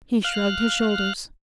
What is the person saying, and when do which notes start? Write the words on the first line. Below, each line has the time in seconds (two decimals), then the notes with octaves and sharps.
He shrugged his shoulders.
0.24 F5 F6 F#6